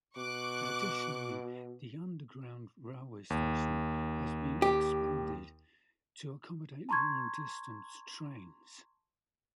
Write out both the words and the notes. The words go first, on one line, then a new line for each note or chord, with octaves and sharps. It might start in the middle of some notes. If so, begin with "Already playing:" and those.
Additionally, the underground railway station has been expanded to accommodate long-distance trains.
B2 C#6 D6 F#6
D#2
G4
A5 A#5 C6 C#6 G#6